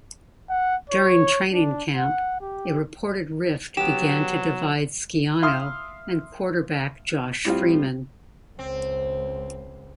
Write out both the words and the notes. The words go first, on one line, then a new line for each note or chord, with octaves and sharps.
During training camp, a reported rift began to divide Schiano and quarterback Josh Freeman.
F#5
C#5
D4
F#5
G4
F#3 B3 G4 E7
E5 F5 C6 D#6 F6
A2 G3 C4 F4
C#2 C4